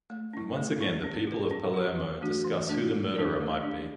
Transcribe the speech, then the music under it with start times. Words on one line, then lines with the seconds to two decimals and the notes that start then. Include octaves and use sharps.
And once again the people of Palermo discuss who the murderer might be.
0.10 A3
0.33 C#4 E4
0.57 A3
0.81 C#4 E4
1.04 C#4
1.27 G4 B4
1.51 C#4
1.74 G4 B4
1.98 E3
2.21 A3 D4 F#4
2.45 E3
2.68 A3 D4 F#4
2.91 A3
3.15 D4 G4 D5
3.39 A3
3.62 D4 G4 D5